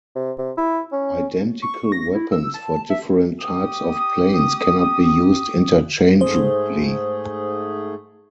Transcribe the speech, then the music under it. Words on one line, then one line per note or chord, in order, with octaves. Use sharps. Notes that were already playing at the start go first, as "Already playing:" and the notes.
Identical weapons for different types of planes cannot be used interchangeably.
C3
C3
E4
C#4
C#6
A#6
E4
E6
A5
E5
G4 D#6
G#2 A3 G#4 C5